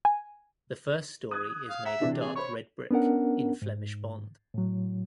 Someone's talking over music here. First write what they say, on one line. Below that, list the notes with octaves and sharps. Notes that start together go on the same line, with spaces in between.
The first story is made of dark red brick in Flemish bond.
G#5
D#6 F#6 G#6
F5
E5 F#5 A#5
C3 E3 D4
G#4
C5 C#5 B5 C#6
B3 C#4 D4 A#4 F#5
G#2
A2 F#3